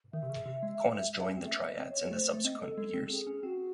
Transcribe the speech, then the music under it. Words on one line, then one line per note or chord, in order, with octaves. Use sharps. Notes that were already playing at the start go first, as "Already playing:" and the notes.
Kwan has joined the triads in the subsequent years.
D#3 E5
C3
C#3
C3
G#3
C#4
C4
A3 E5
D#5
C4
C#5
A3 C5
A3
C4 D#5
A4
G#3 A4
C4
A4
C4 G#4
C#4
C4 F#4